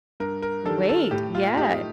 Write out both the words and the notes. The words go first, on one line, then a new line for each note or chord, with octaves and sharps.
Wait, yes.
G2 A#4
A#4
D#3 G3 D4 A4
A4
A2 G4
F4
A3 D#4 G4